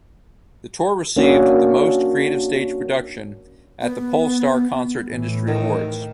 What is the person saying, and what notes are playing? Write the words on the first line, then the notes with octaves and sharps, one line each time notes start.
The tour received the "Most Creative Stage Production" at the Pollstar Concert Industry Awards.
A#3 C#4 D4 F#4
B3
A2 E3
D#3